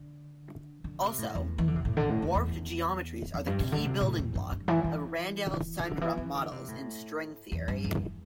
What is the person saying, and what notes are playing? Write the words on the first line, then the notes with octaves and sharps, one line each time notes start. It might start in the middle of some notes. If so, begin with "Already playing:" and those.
Also, warped geometries are the key building block of Randall-Sundrum models in string theory.
Already playing: D3
D3
C3
A2
E2
E3
D3
C3
A2
D3
A2
E2
E2
E2
G2
C3
D3
C3
A2
E2
G2
G2
E3
E3
D3
E3
E3
D3
C3
A2
E2
G2
E2